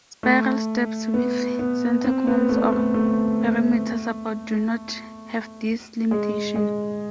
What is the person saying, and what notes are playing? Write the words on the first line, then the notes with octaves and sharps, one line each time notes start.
Spiral steps with center columns or perimeter support do not have this limitation.
A3
B3
B3
C4
B3
A3
A3
A3
G#3
G#3